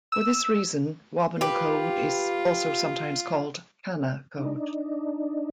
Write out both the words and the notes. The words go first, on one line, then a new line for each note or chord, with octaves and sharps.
For this reason, Wabun code is also sometimes called Kana code.
E6
F4 G4 B4
D4 D#4